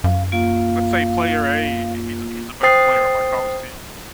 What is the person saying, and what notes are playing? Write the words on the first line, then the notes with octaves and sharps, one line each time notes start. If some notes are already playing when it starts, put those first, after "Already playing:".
let's say player A, he's he's the best player on my college team,
F#2 F5
A#3 F4 F5
C5 G5 D#6 A6 C7